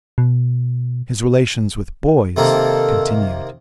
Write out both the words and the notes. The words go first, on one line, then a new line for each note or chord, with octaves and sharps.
His relations with boys continued.
B2
C3 D#3 A#3 A4